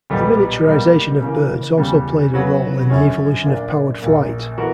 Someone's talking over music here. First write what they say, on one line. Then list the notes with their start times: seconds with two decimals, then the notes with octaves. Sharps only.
The miniaturization of birds also played a role in the evolution of powered flight.
0.10 B1 A#2 G3 B3
0.66 B2 G3 A#3
1.22 C#3 E3 A#3
1.77 E2 C#3 G3
2.33 C#3 F#3 B3 F#4
2.90 F#2 D3 F#3 C#4
3.46 A#2 A#3 D4
4.02 A#1 A#2 A#3
4.58 E3 B3 F#4 A#4